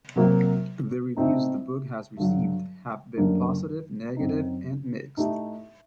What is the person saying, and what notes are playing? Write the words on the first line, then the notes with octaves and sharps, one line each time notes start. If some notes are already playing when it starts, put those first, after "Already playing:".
The reviews the book has received have been positive, negative, and mixed.
C3 F#3 A#3 F#4
A2 A3 C4 D#4
G2 D3 F#3
F#2 D3 G3 A#3 D4
F#2 F#3 C4 D#4
A2 A3 D#4 G4